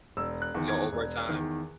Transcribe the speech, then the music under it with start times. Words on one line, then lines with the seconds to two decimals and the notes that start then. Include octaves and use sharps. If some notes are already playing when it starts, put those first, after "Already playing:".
Right, yeah, over time.
0.17 E1 E6
0.42 F#6
0.54 E2 D#3
0.68 G#6
0.93 E1
1.29 E2 D#3